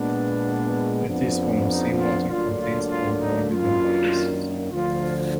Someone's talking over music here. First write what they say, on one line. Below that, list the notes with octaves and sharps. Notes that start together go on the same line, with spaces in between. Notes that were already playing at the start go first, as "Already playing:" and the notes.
A teaspoon of seawater contains about one million viruses.
Already playing: A#2 G#3 B3 D4
F2 F3 B3 D4
D#4
F4
D2 D3 F#3 A#3 D4 F4
F4
F4
D#4
F#2 D#3 F#3 A#3 D4 F4
D2 D3 F3 F4